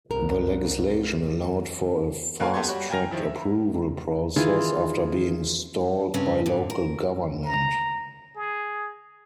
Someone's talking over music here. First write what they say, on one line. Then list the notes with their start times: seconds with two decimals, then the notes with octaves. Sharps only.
The legislation allowed for a fast-tracked approval process after being stalled by local government.
0.11 C2 A#4
2.40 A#3 A4 B4 C#5 F5 G#5
2.54 B3 G4 A4 A#5 C6 G#6
2.68 G3 F#4 C#5
2.90 G5 G#5 A#5 F6 A#6 F7
3.11 D#3 F3 E4
3.24 E5
4.36 D#3 E3 F4 G#4
6.14 G2 C#3 C4 C#4
6.46 G#2 D3
6.70 A#4
7.45 A#5
8.36 G#4